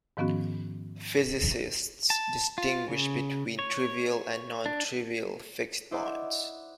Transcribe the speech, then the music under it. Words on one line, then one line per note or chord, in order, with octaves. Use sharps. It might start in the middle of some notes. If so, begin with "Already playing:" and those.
Physicists distinguish between trivial and nontrivial fixed points.
G#2 D#3 F3 B3 C#4 F#4
A5
F4
C#3
C#5
D4
E4 C5 D5 D#5 F#5